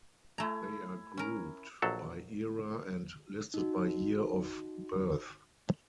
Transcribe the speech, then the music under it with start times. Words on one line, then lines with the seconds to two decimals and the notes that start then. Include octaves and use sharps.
They are grouped by era and listed by year of birth.
0.38 A3 E4 G#5 A#5
1.17 C#4 A#4
1.82 A#1 F#3 A4
3.54 D#4 F#4